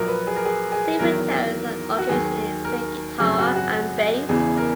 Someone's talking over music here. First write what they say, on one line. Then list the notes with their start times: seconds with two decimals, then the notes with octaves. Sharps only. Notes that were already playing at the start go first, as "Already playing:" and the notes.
Supertones, and occasionally played guitar and bass.
Already playing: A#1 A#2 F#3 A#4
0.08 B4
0.27 G#4
0.36 A#4
0.45 G#4
0.72 G#4
0.99 E2 D#3 F#3 A#4
1.98 F#4
2.09 D#2 D#3 F#3 G#4
2.64 A#4
3.19 G#1 F#2 C#3 F#3 G#4
3.38 F#4
3.55 F#4
4.29 E1 E2 C#3 E3 G#4
4.57 A#4